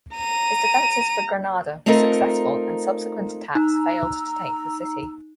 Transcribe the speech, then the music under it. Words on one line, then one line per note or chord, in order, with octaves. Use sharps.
His defenses for Granada were successful and subsequent attacks failed to take the city.
A#5 D#7
A3 C4 D#4 F4 A4 A#4
D#4 A#5 E6